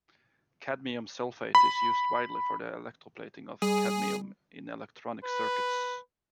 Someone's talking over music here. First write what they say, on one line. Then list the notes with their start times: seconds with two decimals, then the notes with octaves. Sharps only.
Cadmium sulfate is used widely for the electroplating of cadmium in electronic circuits.
1.55 B5
3.62 G3 G#4
5.24 B4